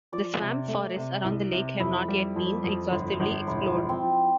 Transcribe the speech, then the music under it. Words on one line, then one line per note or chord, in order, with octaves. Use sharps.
The swamp forests around the lake have not yet been exhaustively explored.
F3 D5
C3
A3
C3
C2
C3
F2 E4
G3
F2
F2
G1
G1
E1 E4
F3
C4
F3